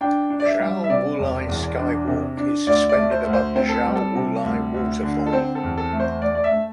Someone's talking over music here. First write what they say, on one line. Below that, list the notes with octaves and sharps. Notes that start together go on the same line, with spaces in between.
Xiao Wulai Skywalk is suspended above the Xiao Wulai Waterfall.
D4 G5
D4
D5
E5
G3
E5
C3 D5
E1
E2
D4
C3
D4
D2 D5
D5
A3
C5
D2
C5
C4 C5
A4
G3
A4
C3
D2
D2
D3
A4
C4 C5
A4
E2
A4
A3
C5
A3 D5
D5
E5
A3